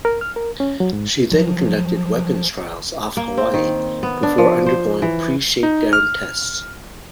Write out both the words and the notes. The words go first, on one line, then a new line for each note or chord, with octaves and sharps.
She then conducted weapons trials off Hawaii before undergoing preshake-down tests.
A#4
F6
A#4
C#4
F#3
G#2
F3 F#3
A#3
C4
D#3
B3
D4
F3
C5
E3
D#4
F6